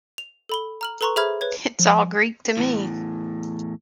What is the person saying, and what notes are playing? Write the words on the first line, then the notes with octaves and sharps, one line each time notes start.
It's all Greek to me.
F7
A4 B5 G7
A#5 F6 F#7
A4 B4 A#5 C6 C#6
G#4 C5 E5 B5 F6 G#6
B4 C#5 G#6
F3
E2 A2